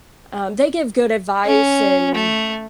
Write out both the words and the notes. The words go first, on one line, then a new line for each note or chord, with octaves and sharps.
um, they give good advice, and,
C#4
A3